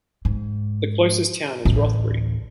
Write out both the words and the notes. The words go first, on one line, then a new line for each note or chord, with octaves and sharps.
The closest town is Rothbury.
G#2
A1 D2